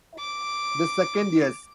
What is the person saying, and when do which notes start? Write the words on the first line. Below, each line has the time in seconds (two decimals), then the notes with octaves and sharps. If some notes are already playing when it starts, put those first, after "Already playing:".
The second, Yes!
0.19 D6